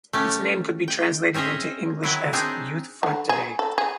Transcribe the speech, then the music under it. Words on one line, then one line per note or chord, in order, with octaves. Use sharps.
Its name could be translated into English as "Youth Front Today".
A3 C#4 G4
G5
C4 C#4 G#4 D#5 E5
D#3 F#3 E4
C4 D4 D#4 G#4
D3
G#4
A4
G#4